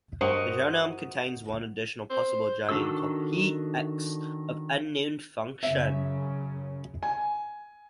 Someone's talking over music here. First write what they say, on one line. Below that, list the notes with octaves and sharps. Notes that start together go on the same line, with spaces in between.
The genome contains one additional possible gene, called pX, of unknown function.
G2 F#4 A#4 C5 D#5
C5
D#3 D4 F#4 A4 E6
F#2 C#3 C#4 E5
G#5